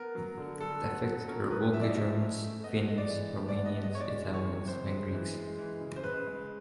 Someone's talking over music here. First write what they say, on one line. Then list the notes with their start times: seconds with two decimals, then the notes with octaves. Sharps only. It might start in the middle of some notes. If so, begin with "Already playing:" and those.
The affected were Volga Germans, Finns, Romanians, Italians, and Greeks.
Already playing: B3 A#4
0.15 F#3
0.38 D3
0.60 G2 A4
0.83 B3
1.05 F#3
1.28 C#4 A#4
1.44 A#4
1.50 A3 B4
1.73 F3 E5
1.81 D5
1.89 D#5
1.96 A2 E5
2.18 C#4
2.42 A3
2.64 B3 D#5
2.87 G#3 D#5
2.98 D5
3.09 E3
3.32 A2
3.49 D5
3.55 B3
3.65 D#5
3.77 G#3
3.83 D#5
3.95 C#5
4.00 G#3 D5
4.22 E3
4.34 C#5
4.45 C3
4.68 C#2 C5
4.90 G#3
5.13 E3
5.36 G#3
5.59 E3
5.81 C#3
5.96 C5
6.03 C#2 B4
6.27 G#3